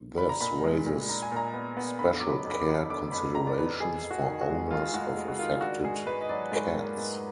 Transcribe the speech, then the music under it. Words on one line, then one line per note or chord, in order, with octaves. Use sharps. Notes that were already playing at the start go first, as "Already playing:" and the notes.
This raises special care considerations for owners of affected cats.
D4 B5
A#5
A#2 B5
G#3
A#2
D4 A#5
G#5
A#2 A#5
B3
B3
D3 B5
F#3 D6
B5
F2
B5
D6
F#3
D3 D6
F2 B5
F2 A#5
D5
F2 B4
F2 G#4
F2
F#4
D#3
F#4
G#3
F2 F4
G#4
G#3 F#4
G#3
F#4
D#3 F4
D4 F#4
G#2 G#4
G#2 B4
D#5
F#3 D5
G#2
A#3
G#2